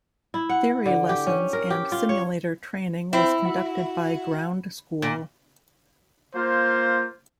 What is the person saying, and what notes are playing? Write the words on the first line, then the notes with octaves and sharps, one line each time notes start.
Theory lessons and simulator training was conducted by "Ground School".
E4
F#5
D3
G4
C#4
A#4
G4
F4
C#5
C4 E4
F#4
A#2
A#3 F4 C5